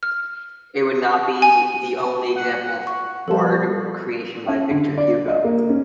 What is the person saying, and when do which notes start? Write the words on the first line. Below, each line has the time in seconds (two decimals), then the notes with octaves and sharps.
It would not be the only example of word creation by Victor Hugo.
0.03 F6
1.42 G#5
2.36 F#5
2.87 C#6
3.28 F3 G3 A4 A#4 A5
4.49 C#4
4.71 D3
4.98 D5
5.28 D#5
5.44 A#3
5.69 C#4